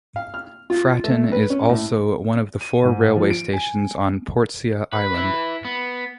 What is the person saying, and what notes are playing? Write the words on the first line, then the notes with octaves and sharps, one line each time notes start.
Fratton is also one of the four railway stations on Portsea Island.
F5
F6
F4
A3
B4
C#4
A2
D#7
G#2
F3
D7
G#5
B4
E4 B4
B3